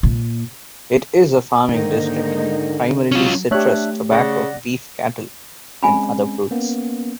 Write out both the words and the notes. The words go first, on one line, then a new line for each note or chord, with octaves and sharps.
It is a farming district, primarily citrus, tobacco, beef cattle and other fruits.
A#2
G#2 D3 D#3 G#3 A#3 D#4
F#3 C#4 F4 F#4
A3 D4 G4 C#5 E5 F#6
C#3 D5 F#5 A#6
G#3 C4 C#4 G#5 B5
A#3 B3 C#4